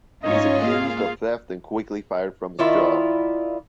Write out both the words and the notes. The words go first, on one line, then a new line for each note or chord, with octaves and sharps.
He's accused of theft and quickly fired from his job.
G#2 C#4 D#4 F4 C#5 D#5
A#3 G#4 F5
D#3 E4 F4 D5